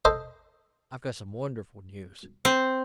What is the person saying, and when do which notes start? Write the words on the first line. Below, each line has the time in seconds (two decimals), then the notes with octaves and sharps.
"I've got some wonderful news."
0.05 A4 C5 D#5
2.45 C4